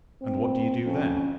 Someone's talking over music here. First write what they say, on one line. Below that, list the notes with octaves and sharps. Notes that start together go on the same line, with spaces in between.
"And what do you do then?"
C4
F2 C#4